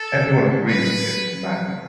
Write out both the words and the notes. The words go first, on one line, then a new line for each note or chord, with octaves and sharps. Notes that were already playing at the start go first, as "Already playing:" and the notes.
Everyone agrees that it was madness.
Already playing: A4
B4